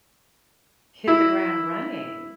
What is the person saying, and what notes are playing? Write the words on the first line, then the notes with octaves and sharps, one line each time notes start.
hit the ground running.
E4